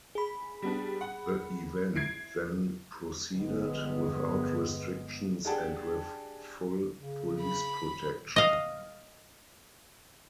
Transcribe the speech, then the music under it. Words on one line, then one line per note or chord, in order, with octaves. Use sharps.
The event then proceeded, without restrictions and with full police protection.
G#4 B5
G3 B3 D4
F#5
E4 G#6 C7 D7
G1 F2 G#3 B3
D4 G4 G#4 F#5 G5 A5
C#3
B5
D#5 F5